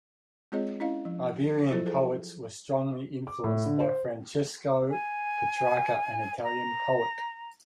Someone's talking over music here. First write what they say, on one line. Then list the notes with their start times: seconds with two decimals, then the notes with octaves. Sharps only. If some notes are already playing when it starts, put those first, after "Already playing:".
Iberian poets were strongly influenced by Francesco Petrarca, an Italian poet.
0.52 G#3 C4 F4 G#4 C#5 D#5
0.80 C#4 E4 D#5 F5
1.05 F3
1.71 F3 F#3 E4 F4 A4 C5
1.86 G#4 A4 C5
3.27 D6
3.44 A2
3.66 D3
3.80 C5
4.91 G#5
6.44 A#5